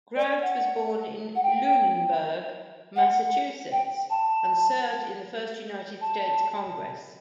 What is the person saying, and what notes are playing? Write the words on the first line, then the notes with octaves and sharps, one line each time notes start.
Grout was born in Lunenburg, Massachusetts and served in the First United States Congress.
D5
F#5
F#5
G5
F#5
G5
A5
A5